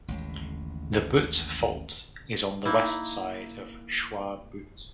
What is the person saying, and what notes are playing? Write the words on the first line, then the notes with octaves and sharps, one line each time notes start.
The Butte Fault is on the west side of Chuar Butte.
A1 D#2 G#3
A#3 D#4 E4